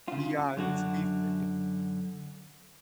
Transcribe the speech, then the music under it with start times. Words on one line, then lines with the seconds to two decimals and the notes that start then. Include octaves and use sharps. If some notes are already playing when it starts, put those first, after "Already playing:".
Yeah, and to be fit yeah.
0.08 C#3 F4
0.57 F#2 D3 F#4